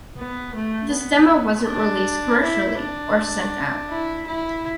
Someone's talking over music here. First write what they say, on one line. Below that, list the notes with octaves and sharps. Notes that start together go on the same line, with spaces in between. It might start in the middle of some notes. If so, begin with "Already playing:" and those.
This demo wasn't released commercially or sent out.
B3
A3
B3
D4
E4
D4
E4
E4